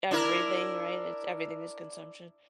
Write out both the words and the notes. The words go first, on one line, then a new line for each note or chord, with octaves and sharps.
everything, right? It's everything is consumption.
D4 E4 A#4